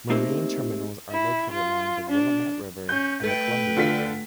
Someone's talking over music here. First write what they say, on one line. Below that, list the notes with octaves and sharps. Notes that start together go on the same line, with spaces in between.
Marine terminals are located along the Willamette River and the Columbia River.
A3 A#3 C4 D#4 G4 A#4
E4
F4
D4
C#4 G6
A3 B4 G5
D3 F4 B6